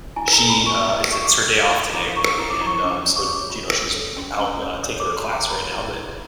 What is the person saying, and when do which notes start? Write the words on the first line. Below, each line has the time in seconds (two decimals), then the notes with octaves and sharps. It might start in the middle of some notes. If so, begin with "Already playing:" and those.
she, uh, it's it's her day off today, and, um, so, s you know, she's out, uh, taking her class right now, but,
0.16 E4 G#5
0.33 A#5
0.39 A4
0.50 B5
0.61 C5
0.66 C#6
0.83 E4 D#6
1.05 C5
1.12 C#6
1.25 C5 D6
1.37 D#6
1.50 A4 E6
1.72 E4
1.83 D#6
1.93 E4 D6
2.02 D#6
2.16 E4 C#6
2.33 D#6
2.39 E4
2.50 D6
2.61 E4
2.67 C#6
2.83 C#4 D6
3.00 D#6
3.05 C#5
3.16 C#6
3.28 C#5
3.33 D6
3.50 F4
3.72 C#5
3.94 A4
4.17 C#4
4.39 C#4
4.61 C#5
4.83 C#5 D#6
5.00 D6
5.06 A4
5.17 C6
5.28 C#5 B5
5.33 A#5
5.50 C#5 B5
5.72 E4
5.94 E4